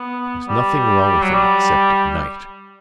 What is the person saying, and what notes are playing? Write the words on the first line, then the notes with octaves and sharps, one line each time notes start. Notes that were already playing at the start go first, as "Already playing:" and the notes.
There's nothing wrong with him except at night.
Already playing: B3
G3
F#3
G3